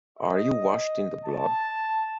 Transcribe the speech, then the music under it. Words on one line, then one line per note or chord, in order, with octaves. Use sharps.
Are You Washed in the Blood?
D#5
A5